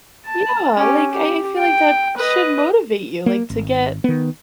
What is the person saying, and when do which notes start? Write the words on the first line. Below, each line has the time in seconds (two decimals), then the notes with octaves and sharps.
Yeah, like, I I feel like that should motivate you, like, to get,
0.26 A5
0.76 C#4 G4
1.11 G4
1.58 G5
2.17 B4 D#5
3.26 A#3
3.50 G#1
4.04 D#3 B3